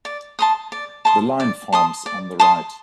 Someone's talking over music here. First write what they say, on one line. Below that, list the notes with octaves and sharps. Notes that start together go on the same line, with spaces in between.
The line forms on the right.
D5
A5 C6 D#6
D5
A5 C6 D#6
D5
A5 C6 D#6
D5
A5 C6 D#6